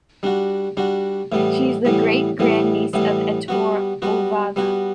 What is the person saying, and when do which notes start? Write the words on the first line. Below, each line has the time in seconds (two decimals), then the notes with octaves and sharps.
She is the great-grand-niece of Ettore Ovazza.
0.23 G3 D4 F#4
0.77 G3 D4 F#4
1.32 A2 E3 G3 B3
1.85 A2 E3 G3 B3
2.39 A2 E3 G3 B3
2.93 A2 E3 G3 B3
3.48 G3 B3 F#4
4.02 G3 B3 F#4
4.56 G3 B3 F#4